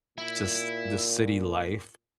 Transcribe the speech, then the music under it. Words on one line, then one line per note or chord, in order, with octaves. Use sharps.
just the city life,
A#2 E4